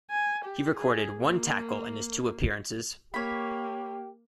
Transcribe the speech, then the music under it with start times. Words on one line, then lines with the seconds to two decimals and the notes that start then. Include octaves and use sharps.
He recorded one tackle in his two appearances.
0.10 G#5
0.45 G4
0.76 G#4
1.18 A#3
3.14 A#3 G4 C#5 B5